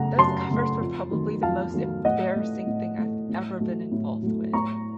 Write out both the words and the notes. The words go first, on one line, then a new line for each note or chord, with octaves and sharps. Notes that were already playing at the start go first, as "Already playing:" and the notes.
Those covers were probably the most embarrassing thing I've ever been involved with.
Already playing: F#2 C#3 A3 F#5 A#5
F#2 A5 C6
C#3 A3
F2
D#3 F#3 A3
F2 F5 A5
D#3 F#3 A3
A2 D#5 F#5
A3
A2
A3
A2
F#3 A3
A2
F#3 A3
A2 A#5 C#6